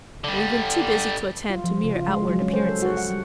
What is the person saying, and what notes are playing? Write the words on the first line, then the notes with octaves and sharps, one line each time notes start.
We've been too busy to attend to mere outward appearances.'
D3 G3
F4
F3
C#3
F4
G#3
F#3
C#4
C5
A4
F#4
F#5
G3